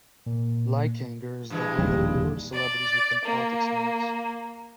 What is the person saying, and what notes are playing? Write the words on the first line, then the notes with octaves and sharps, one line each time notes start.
Leikanger is the home of numerous celebrities within politics and arts.
A#2
G2 E3 G#3
E1 A#1 D#2 G3
D5
A#3